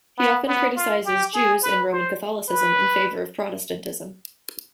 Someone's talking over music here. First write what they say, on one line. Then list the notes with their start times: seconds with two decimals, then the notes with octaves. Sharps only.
He often criticizes Jews and Roman Catholicism in favor of Protestantism.
0.18 B3
0.47 B3
0.76 F4
1.05 G4
1.34 G#4
1.62 B4
1.91 C5
2.48 B4